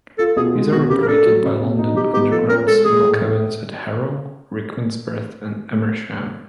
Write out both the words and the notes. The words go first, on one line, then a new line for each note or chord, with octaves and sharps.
These are operated by London Underground signal cabins at Harrow, Rickmansworth and Amersham.
F4 A4
B2 G#4
G#3
B2 F#4
C#3 G4
A#4
D4 A4
F#3
C#3
B2
D#4
D#4 G4
B3 G4
F3 A4
C#4 A#4
G#3 A4
G#3 G#4
A2
A2